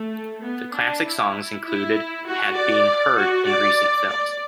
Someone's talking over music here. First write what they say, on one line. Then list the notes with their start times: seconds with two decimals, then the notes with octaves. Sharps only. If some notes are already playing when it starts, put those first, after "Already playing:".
The classic songs included had been heard in recent films.
Already playing: A3
0.43 B3
0.74 D4
1.04 E4
1.65 E4
2.26 F#4
2.56 D5
3.18 F#4
3.48 D5
4.10 D5